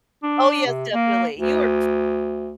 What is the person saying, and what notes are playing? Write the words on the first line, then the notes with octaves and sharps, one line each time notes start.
Oh, yes, definitely. You are f
D4
C3
A#3
D2